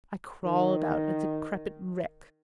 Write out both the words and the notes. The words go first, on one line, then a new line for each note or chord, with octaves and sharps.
I crawled out a decrepit wreck.
D#3